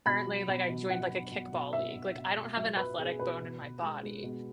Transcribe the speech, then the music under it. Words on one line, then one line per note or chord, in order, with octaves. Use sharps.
currently, like, I joined, like, a kickball league, like, I don't have an athletic bone in my body,
B2 B5
F#3
B2
B2
F#3 F#5
B2
B2
B2
B2 E5
B2
B2
B2
F#3 E5
F#3 B4
B2 G#4
B2 B4
B2
B2
G#3
G#3
B2